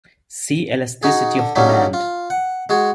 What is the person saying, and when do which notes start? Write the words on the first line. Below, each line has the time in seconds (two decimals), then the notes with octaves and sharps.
See Elasticity of demand.
1.03 D#4 F#4 G#4
1.39 D3
1.56 A#2 D3 F#3 G3 C#4 D#4
1.93 F4
2.30 F#5
2.69 G#3 F#4 G#4